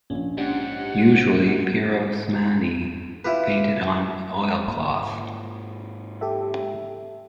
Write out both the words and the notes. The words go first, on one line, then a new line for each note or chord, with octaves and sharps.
Usually, Pirosmani painted on oilcloth.
A#1 C#4
G#2 C#4 D4 G4 F#5
E4 F4 G4 B4
G#2 A#3
G4 A4 E5